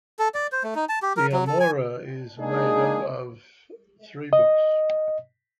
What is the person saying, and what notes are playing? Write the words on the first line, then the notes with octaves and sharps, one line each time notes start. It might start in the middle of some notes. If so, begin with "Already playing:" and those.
"De Amore" is made up of three books.
A4
D5
C5
A3
D#4
A5
G4
A#4
F#3
A4
G#5
G#3 A#3 D4 D#4 G#4
D#5